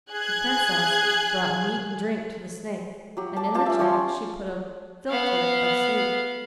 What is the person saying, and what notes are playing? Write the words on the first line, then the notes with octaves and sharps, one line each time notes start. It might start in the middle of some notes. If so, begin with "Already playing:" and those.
The Princess brought meat and drink to the snake, and in the drink she put a philtre of sleep.
G#4 F#6 G#6
F#3 G4
A5 D6
F4 G4 A5
C#4 E5
F3 C#5 G5 C6
B3 F5